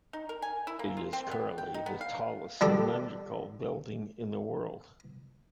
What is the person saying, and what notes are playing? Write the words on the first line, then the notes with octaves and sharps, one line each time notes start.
It is currently the tallest cylindrical building in the world.
D#4
A#4
G#5
E4
A#3
F4
C4
B3
G5
D#4
B3
F5
G3 G4 A4